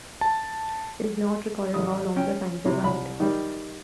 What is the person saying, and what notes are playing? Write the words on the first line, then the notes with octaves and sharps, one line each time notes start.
It is not recorded how long the sign survived.
A5
A1 D#6
C#4 G5
C3 E4
C2 B5
D#3 G3